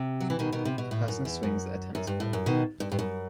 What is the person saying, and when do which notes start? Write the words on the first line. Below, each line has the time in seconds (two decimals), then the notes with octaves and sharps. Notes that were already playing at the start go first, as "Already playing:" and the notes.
A person swings at a tennis ball.
Already playing: C3
0.20 F#3
0.30 E3
0.39 B2 D#3
0.52 B2 D#3
0.65 C3
0.78 B2
0.91 A2
1.08 F#2
1.25 E2
1.43 F#2
1.95 F#2
2.07 G2
2.20 A2
2.33 F#2
2.46 B2 D#3
2.80 G2
2.92 G2
2.99 F#2